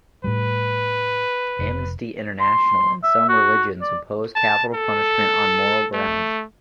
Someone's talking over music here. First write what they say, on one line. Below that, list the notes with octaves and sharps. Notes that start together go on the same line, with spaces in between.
Amnesty International and some religions oppose capital punishment on moral grounds.
A2 G3 B4
F1
C6
E5
F#4
D5
A5
A4
A3